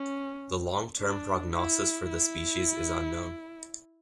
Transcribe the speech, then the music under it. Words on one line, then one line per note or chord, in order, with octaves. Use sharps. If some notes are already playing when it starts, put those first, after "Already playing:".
The long-term prognosis for the species is unknown.
Already playing: C#4
D4
E4
E4